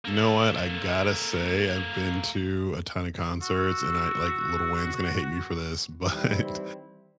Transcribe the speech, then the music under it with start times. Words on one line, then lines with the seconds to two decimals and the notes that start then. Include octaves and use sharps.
You know what, I gotta say, I've been to a ton of concerts, and I like, Little Wayne's gonna hate me for this, but
0.05 A#3 A4
3.42 F#4 E6
6.08 D#3 E3 G3 C4 E4